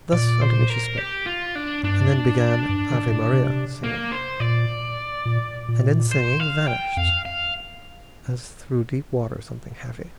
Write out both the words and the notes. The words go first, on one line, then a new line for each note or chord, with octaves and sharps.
Thus unto me she spake, and then began "Ave Maria" singing, and in singing Vanished, as through deep water something heavy.
A#2 D5
C5
A#4
G4
F4
D4
G2 D4
G2
D3
A#2
C3
A#3
C5
A#2 D5
A#2
A#2
C5
F5
G5
F2 F5
F5